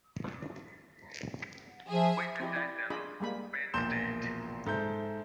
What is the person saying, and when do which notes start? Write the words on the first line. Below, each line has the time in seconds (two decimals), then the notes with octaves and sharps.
With the title Painstained.
1.89 F3 G#4 E5
2.40 C4 E4 G4 D#5
2.55 E4 D5 D#5
2.90 D4 F4 G#4 D#5 B5
3.20 G3 G#3 A#3 B5
3.74 E1 A#1 A#2 C6 G6 E7
4.66 G#2 A4 C5 E5 G6